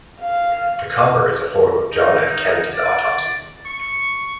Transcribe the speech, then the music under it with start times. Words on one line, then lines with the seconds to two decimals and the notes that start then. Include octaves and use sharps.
The cover is a photo of John F. Kennedy's autopsy.
0.21 F5
1.93 D#4
2.74 D5
3.66 C#6